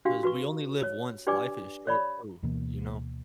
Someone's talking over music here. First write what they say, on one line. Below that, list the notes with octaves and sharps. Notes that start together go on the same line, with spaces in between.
'Cause we only live once. Life is short too. You know?
D4 F#4 G4 F5
F#4 B4 C#6
C#5
D4 G4 B4 D5 G#5 D6
C#5 D5 B5
D2 B2 E3 A#3